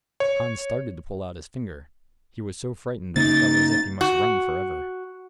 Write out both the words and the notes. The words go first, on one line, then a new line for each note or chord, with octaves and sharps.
Hans started to pull out his finger; he was so frightened that he felt as if he must run for ever.
C#5
C#3 A#3 C#4 D#4 A6
F#4